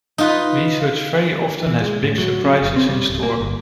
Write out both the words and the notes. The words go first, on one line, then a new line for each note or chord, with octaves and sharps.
Research very often has big surprises in store.
D#4 F4 B4
E3
G#3
A2
F#3
C#4
F#1
C4
G3
D1
A#3
G1